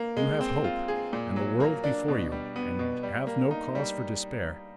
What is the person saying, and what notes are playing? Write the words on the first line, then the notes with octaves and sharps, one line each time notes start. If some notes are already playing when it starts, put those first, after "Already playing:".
You have hope, and the world before you, and have no cause for despair.
Already playing: A#3
G#3
C4
F4
G#4
A#2
F#3
A#3
D4
B2
G3
B3
B2
G3
A#3
D#4
G3